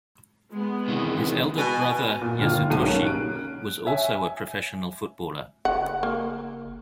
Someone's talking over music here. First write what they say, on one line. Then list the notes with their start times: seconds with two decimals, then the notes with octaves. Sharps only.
His elder brother Yasutoshi was also a professional footballer.
0.51 G#3 B3
0.88 C3 D#3 E3
1.58 B2 G#5
2.21 A#2
2.39 G1 D3 D#3 F4 F6
2.70 B1 G#2 D#7
2.84 G3 A#3 C#4 D#4
3.03 F#6 D7
3.86 C#5 E5 G#5
5.65 F#1 F#5
6.03 A#3